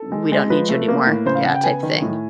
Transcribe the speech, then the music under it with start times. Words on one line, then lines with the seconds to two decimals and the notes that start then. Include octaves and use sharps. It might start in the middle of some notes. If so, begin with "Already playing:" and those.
"We don't need you anymore," yeah, type thing.
Already playing: A4
0.12 G#3
0.32 G#3
0.50 F3 B4
0.69 A3
0.88 A#3
1.07 A2
1.26 C#3 C5
1.35 F5
1.45 C#3 F#5
1.55 G5
1.64 B3 G#5
1.83 D#3
2.02 A2